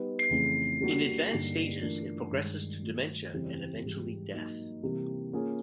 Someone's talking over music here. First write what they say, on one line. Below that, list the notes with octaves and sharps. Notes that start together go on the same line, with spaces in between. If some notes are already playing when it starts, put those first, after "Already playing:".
In advanced stages it progresses to dementia and eventually death.
Already playing: G3 B3 D#4 G4 B4
F2 C#3 E3 A3
G3 A#3 D4 F#4
G2 D3 G3 A#3 D#4
E3 A3 D4 F4 A#4
G2 D#3 G#3
D#3 F#3 A3
F2 C#3 E3 G3 C4
G#2 E3 G3
F#3 A#3 D#4
C3 E3 G3 A#3
A#3 C#4 F4 G#4